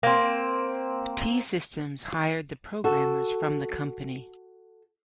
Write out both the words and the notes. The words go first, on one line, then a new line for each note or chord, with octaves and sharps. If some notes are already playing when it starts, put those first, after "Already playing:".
T-Systems hired the programmers from the company.
A#3 C4
F#4 A4